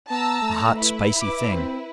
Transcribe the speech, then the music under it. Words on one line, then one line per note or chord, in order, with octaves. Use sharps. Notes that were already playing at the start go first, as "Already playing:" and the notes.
A hot, spicy thing.
B3 A5 A#5 E6
A3
E4 B4
D6
C4